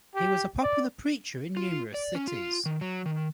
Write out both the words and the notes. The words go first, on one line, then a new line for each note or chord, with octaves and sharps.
He was a popular preacher in numerous cities.
G4
D5
F4
D5
C#4
F4
D#3
F#3
D#3